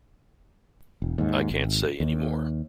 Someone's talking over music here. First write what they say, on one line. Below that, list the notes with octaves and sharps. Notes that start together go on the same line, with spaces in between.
I can't say anymore.
E1
D#2 G#2
G#1
D#2